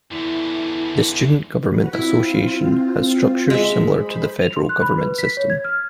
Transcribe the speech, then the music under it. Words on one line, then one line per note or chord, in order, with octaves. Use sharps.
The Student Government Association has structures similar to the federal government system.
E2 D3 E4
F#4 B4
C4 E4 F4
G#3 E5
C5 B5
F7
C6
F#6
B5
B4
B6
C#5
G#6
F6